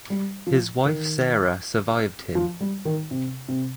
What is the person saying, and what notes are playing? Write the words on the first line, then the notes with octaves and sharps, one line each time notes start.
His wife Sarah survived him.
G3
F3
D#3
F3
G3
D#3
C3
C3